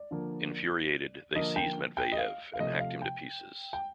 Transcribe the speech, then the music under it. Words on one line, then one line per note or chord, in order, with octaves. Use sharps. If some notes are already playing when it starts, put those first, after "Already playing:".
Infuriated, they seized Matveyev and hacked him to pieces.
Already playing: D5
D3 F3 A#3
D3 F3 A#3 D#5
G5
G5
D#5
F5
F5
C3 F3 A3 D#5
F5
G5
G5